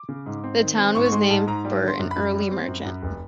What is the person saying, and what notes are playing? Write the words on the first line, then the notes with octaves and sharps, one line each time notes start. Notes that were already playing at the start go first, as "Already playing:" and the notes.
The town was named for an early merchant.
Already playing: D6
C#3
G#2
C4
D#3
C4
G#2 C#6
C#6
G#3 C6
G#2 A5
G#2 A#5
G3
D3
C6
F#2
B5
F#2
G3
C4
F#2
F#2
F1